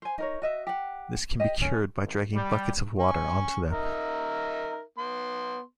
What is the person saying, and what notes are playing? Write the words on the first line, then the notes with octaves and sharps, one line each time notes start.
This can be cured by dragging buckets of water onto them.
C5 G#5
D#4 A#4 C#5
F#4 D#5 E5
G4 F#5
G4 D#5
C#4
G#1
G3
G#5 C#6
D#4 A#4 E5
B3 C6